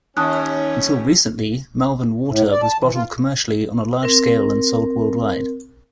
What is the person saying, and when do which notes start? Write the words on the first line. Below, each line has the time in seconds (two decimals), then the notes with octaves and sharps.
Until recently, Malvern water was bottled commercially on a large scale and sold worldwide.
0.17 D#2 C#4 A5 D#6 F#6
2.28 A2
2.51 D5
2.63 A5
2.81 E3
2.93 F4
4.03 C4 A#4